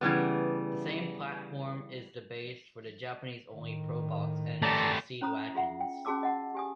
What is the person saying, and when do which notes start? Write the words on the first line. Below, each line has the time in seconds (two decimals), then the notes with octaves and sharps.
The same platform is the base for the Japanese-only Probox and Succeed wagons.
0.01 C#3 E3 G3 B3
3.53 A2 D#3
4.62 A3 G4 D5 A5 A#5
5.21 C#4 E4 C5 A#5 B5 D#6
5.55 F4 G#4 E5 F#5
5.80 G5
6.05 C#4 F#4 G#4 A5 D6 E6
6.23 D#5 F#5 A5
6.54 G4 G#5 D#6